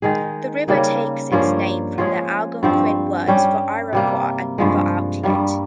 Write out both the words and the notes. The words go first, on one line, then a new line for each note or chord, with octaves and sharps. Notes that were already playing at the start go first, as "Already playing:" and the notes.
The river takes its name from the Algonquin words for "Iroquois" and "river outlet".
D#3 G#3 D#4 G#4
C#3 G3 A#3 D#4
G2 F3 A#3 C#4
F3 G#3 C#4 G#4
G2 F3 C4
G3 C#4 G4
C3 G3 A#3
G2 F3 G#3
G2 G3 A#3